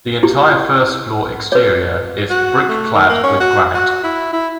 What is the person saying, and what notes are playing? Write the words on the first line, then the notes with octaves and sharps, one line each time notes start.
The entire first floor exterior is brick-clad with granite.
E4 G4
B4 C#5
F#4
A3
D#3
A#3
C#4
F#4
F#4
E4
E4